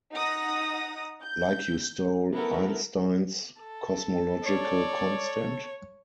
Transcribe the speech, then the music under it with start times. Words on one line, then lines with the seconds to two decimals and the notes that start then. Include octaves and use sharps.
Like you stole Einstein's cosmological constant?
0.12 D#4 F#5 A#5 D#6 A#6
1.23 G6
2.33 A3 B3 E4 A4 A#4
3.59 A4
4.43 C#5 D5